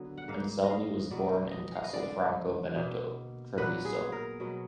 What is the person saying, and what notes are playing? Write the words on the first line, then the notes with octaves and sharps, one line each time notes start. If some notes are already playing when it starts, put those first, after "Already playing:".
Anselmi was born in Castelfranco Veneto, Treviso.
Already playing: D3 F#3 B3
F#5
G#2 D#3 A#3 F5
D#5
F5
B2 F#3 B3 D5
D#5
F5
D#5
D3 G#3 B3 D5
B2 A#3
A#2 F#3 B3 B4
G#4
A#4
B2 F#3 B3